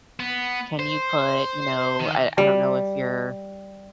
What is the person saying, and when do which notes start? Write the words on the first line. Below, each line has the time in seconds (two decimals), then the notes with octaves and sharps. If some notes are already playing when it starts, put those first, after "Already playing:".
"Can you put, you know" I I don't know if you're,
0.20 B3
0.79 C5
2.00 D#3
2.38 G3